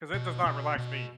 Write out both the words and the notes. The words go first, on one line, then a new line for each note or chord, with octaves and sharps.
'Cause it does not relax me.
B2
B2
B2